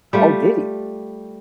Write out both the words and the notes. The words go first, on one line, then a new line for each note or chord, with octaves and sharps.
Oh, did he?
G3 A3 F4